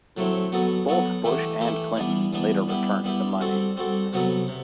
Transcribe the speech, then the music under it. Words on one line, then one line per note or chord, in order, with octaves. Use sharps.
Both Bush and Clinton later returned the money.
A2 F#3 A3 C4
F#3 B3 F#4 A4
F#3 B3 F#4 A4
E3 A3 E4 G4
E3 A3 E4 G4
E3 G3 B3 D4
E3 G3 B3 D4
G3 B3 E4 G4
G3 B3 E4 G4
G3 C4 F#4 A4
G3 C4 F#4 A4
C3 F#3 B3 F#4 A4
C3